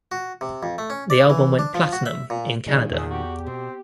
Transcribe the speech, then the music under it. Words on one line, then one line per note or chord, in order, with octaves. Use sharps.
The album went Platinum in Canada.
F#4
C3
F2
A3
C#4
D5
E3
D4
F3
F#4
E5
A#2
A#2 D#3 G3 G#3 D4
E2 G#4 E5
F#4 G4
B2 C4